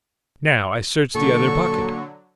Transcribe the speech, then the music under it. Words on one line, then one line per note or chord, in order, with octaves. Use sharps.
Now I search the other pocket....
A#2 D3 F#3 A4 C#6